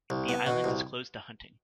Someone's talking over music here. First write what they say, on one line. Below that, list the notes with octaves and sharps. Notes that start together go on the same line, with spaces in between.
The island is closed to hunting.
C2
B3
B2
C2